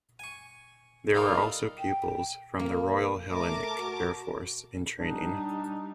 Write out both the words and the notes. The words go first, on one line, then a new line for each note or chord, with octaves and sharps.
There were also pupils from the Royal Hellenic Air Force in training.
G#5 C#6
G3 D#4 F4 A4 A#4
G5
A#3
A3 A#4 A5 D6
F#4
G3 D4 D#4